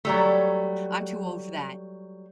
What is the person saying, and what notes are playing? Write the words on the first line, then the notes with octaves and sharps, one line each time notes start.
I'm too old for that.
F#3 G3 A3